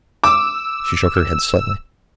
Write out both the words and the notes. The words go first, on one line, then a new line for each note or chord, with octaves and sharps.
She shook her head slightly.
D6 E6